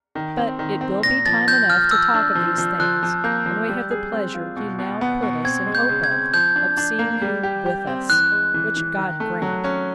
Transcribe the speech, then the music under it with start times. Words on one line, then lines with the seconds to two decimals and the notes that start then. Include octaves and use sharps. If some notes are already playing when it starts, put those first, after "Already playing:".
But it will be time enough to talk of these things, when we have the pleasure you now put us in hope of, of seeing you with us; which God grant.
0.15 D#3
0.37 C4
0.59 D#3
0.81 C4
1.03 A#2 A#6
1.26 F3 A6
1.47 F3 G6
1.70 F3 F6
1.91 F3 E6
2.14 D4
2.35 F3
2.58 F3
2.80 F3 F#6
3.03 F3
3.24 A#3 G6
3.46 F3
3.69 G3
3.91 G#4
4.12 C4
4.34 F4
4.56 B2
4.79 B2
5.01 B3
5.23 B2
5.45 C4 G#6
5.66 G#3
5.75 G6
5.89 C#3
6.04 G#6
6.11 C4
6.34 F3 G6
6.56 D4
6.77 D4
6.99 A#3
7.22 G3
7.43 G4
7.66 G4
7.87 C4
8.10 E3 F#6
8.32 G#3
8.54 E3
8.77 E3
8.98 D#3
9.20 A3
9.42 F#3
9.64 C#4